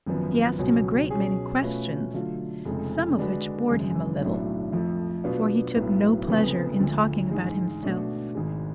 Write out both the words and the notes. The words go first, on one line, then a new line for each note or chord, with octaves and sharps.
She asked him a great many questions, some of which bored him a little; for he took no pleasure in talking about himself.
G#1 F#2 F3 B3
C#2 B2 F#3 C#4
B2 F#3 C#4 G#4
B2 A3 C#4 F4 B4
D3 F#3 A3 F4
F1 F2 C#3 G#3
D3 G#3 D4 F#4 B4
G#1 F#2 C#3 G#3
B1 A2 F#3 A3 D4
F2 F3 A3
B2 F#3 B3 D4 F4
B1 A2 F#3 B3
F1 F2 C#3 F3 B3
D2 D3 F3 G#3
A1 G#2 G#3
B2 A3 D4 F#4
G#1 G#2 G#3